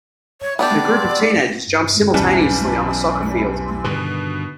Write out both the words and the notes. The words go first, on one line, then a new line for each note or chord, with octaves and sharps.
A group of teenagers jump simultaneously on a soccer field.
C#5
B3 D4 G4 D5
B1 E2 G3 C#4 A5
G2 B2 D3 D#3